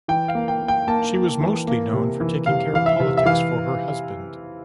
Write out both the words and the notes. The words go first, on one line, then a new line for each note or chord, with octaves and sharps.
She was mostly known for taking care of politics for her husband.
E3 G5
F5
A#3
G5
A#3
G5
A#3 A5
A#3
E3
A#3
C3
E3
C3 F5
E3 F5
E5
C3
E5
E3 F5